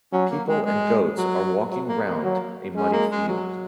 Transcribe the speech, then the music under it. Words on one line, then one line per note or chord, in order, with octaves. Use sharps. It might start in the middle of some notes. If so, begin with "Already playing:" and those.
People and goats are walking around a muddy field.
F#3 C#4
A#3
G#3
G#3
F#3
F#3
A#3
A#3
F#3
G#3 C#4
A#3
G#3
F#3